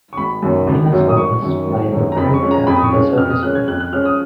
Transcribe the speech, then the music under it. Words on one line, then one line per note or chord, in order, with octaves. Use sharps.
Marina Sirtis played Lucretia in this episode.
C#6
G#1 B5
F#2 D#3 F#3
G#1
F#2 D#3 F#3
D#6
G#1 C#6
F#2 D#3 F#3
G#1
F#2 D#3 F#3
A#5
F2 B5
C#6
F3 G#3 C#4
A#5
F2 B5
D#6
C#6
F3 G#3 C#4
F2 F6
D#6
F3 G#3 C#4 F#6
G#6
F2 F#6
F#6
F3 G#3 C#4 F6
D#6